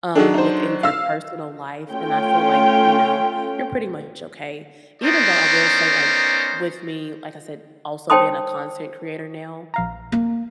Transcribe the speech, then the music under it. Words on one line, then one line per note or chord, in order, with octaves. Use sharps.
um, within your personal life, then I feel like, you know, you're pretty much okay. Even though I will say, like, with me, like I said, also being a content creator now,
F#3 D4 D#4 G#4 A4
D#4 C5
F5 E6
A3 C#4 F4 G5
B3 C#4 D#4 A#4 C5 D5
C5 C#5 G5 A5 C6 D#6
A#1 F5 A#5
A#3